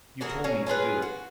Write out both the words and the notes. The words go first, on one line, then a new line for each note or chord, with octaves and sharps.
"You told me to do it."
E3 F#4 G#4 A#4
F#3 C#4
C#4 F4 G#4 B4
F#4